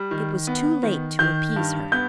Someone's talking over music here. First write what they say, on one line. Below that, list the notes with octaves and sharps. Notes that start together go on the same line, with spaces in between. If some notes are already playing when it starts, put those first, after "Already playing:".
It was too late to appease her.
Already playing: G3
D#3
B3
D#3
D#3 G6
G2
B3 G6